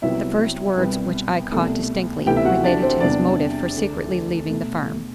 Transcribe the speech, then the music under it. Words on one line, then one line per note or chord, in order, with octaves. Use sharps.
The first words which I caught distinctly related to his motive for secretly leaving the farm.
C2 C3 F#3 B3 E4 E5
C2 B2 G3 B3
C2 B2 A3
D2 C3 E3 B3 G4 G5
E5
F#4 F#5
D4 D5
C4 C5
E2 C3 G3 B3 D4 D5
D2 D3 A3
B2 A3